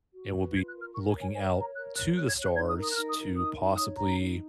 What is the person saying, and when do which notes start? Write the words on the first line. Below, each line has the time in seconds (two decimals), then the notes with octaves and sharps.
and we'll be looking out to the stars to possibly
0.14 F#4
0.34 B4
0.54 F4 G#6
0.68 F#6
0.74 A#4
0.81 F6
0.94 A#4 C#6
1.08 G#5
1.15 C#5
1.22 G#5
1.35 A#4 G#5
1.48 G#5
1.55 C#5
1.61 A#5
1.75 A#4 F#6
1.95 C#5 F#6
2.15 C#5 F#6
2.29 G#6
2.36 C#5
2.42 F#6
2.55 D#4 G#6
2.69 D#6
2.76 A#4
2.83 D#6
2.91 F#6
2.96 D#4 F6
3.10 D#6
3.17 A#4
3.37 D#4 D#6
3.57 D#4
3.77 C#5 D#6
3.97 D#4 A#5
4.17 D#4